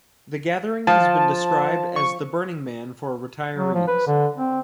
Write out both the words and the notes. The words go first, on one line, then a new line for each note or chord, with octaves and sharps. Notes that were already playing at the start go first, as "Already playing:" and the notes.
The gathering has been described as the Burning Man for retirees.
F3 A5
C#6
F#3
F3
B4
D3
C4